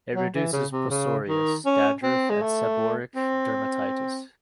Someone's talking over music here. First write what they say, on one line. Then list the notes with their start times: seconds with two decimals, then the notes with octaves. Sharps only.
It reduces psoriasis, dandruff, and seborrheic dermatitis.
0.15 F#3
0.35 E3
0.52 C#3
0.72 C3
0.90 C#3
1.29 D#3
1.65 C#4
2.03 C4
2.30 G#3
2.42 A3
3.16 C4